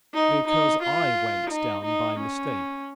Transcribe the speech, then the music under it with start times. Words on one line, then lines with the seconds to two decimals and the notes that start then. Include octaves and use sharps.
"Because I went down by mistake."
0.14 D#4
0.48 D#4
0.83 F4
1.51 D#4
1.85 D#4
2.20 C#4